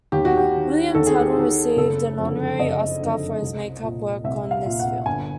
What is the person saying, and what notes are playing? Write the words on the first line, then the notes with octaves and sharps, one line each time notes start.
William Tuttle received an honorary Oscar for his makeup work on this film.
D#2 G4
F#4
G4
D#3
D#2 A4
G#4
G4
D#3 G#4
F#1 A4
F2 D3
F#1 D#5
F2 D3
C2
A#2
C2 E5
F5
A#2
F#5
G1 G#5